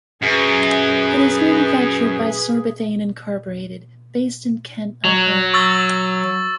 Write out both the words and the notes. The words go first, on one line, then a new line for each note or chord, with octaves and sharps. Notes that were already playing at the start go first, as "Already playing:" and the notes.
It is manufactured by Sorbothane, Incorporated based in Kent, Ohio.
F#2 G#4 B4
F#3
C#6 E6 A6